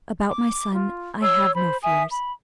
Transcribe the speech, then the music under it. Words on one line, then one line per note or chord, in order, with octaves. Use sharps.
About my son, I have no fears.
D6
F4
C#5 E6
C5 B5
E5 G#5 D#6
B5